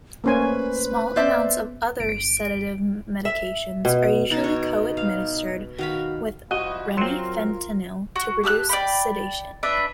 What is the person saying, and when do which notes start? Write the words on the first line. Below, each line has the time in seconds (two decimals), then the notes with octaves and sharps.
Small amounts of other sedative medications are usually co-administered with remifentanil to produce sedation.
0.24 A3 A#3 C#4 B4 C5 G#5 C6
1.16 B3 C5 D5 E5
2.00 G1 D7
3.25 E5
3.85 B2
4.30 B2 D#4 A5
4.44 C#5
4.97 F5
5.78 D#3 F#4 F5 B5
6.51 C2 F3 E4 F#4 D#5
6.97 F#3 C4 F4 A#4 C6
8.16 F#4
8.44 G4 A5 E6 F#6
8.69 D5 G5 B5
9.63 D4 B4 E5